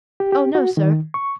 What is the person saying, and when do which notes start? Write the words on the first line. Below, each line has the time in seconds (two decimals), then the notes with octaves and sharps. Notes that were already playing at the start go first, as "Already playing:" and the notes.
Oh, no, sir!
0.20 G4
0.32 G4
0.55 F#4
0.77 D#3
1.14 C#6